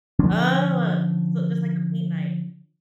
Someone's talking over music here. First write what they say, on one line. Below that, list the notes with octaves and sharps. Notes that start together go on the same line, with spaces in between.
Oh. So just, like, a paint night.
D3 F3 C#4 D4